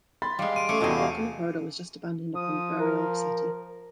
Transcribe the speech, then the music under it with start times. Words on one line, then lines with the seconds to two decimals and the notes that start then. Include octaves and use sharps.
Work on the corridor was just abandoned upon the burial of Seti.
0.22 B5 C6 A6
0.39 G3 G#3 F5
0.56 C6 D7 D#7
0.69 A3 C#4 D6 C#7
0.81 E2 C3 F#4 G#4 D#5 A5
0.96 F5
2.35 F3 D#6
2.80 A#4